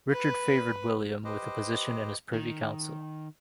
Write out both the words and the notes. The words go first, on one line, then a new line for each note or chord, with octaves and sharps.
Richard favored William with a position in his Privy council.
B4
G4 B4 C5 D#5
D#3